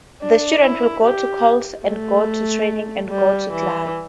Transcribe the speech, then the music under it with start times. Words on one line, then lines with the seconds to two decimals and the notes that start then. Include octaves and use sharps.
The students will go to calls and go to training and go to class.
0.22 D4
0.63 E4
1.05 G4
1.86 A3
3.11 G3
3.52 E3